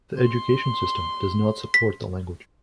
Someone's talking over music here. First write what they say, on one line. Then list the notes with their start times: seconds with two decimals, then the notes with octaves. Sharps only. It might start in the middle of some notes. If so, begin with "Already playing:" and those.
The education system does not support the language.
0.20 C6
1.74 B6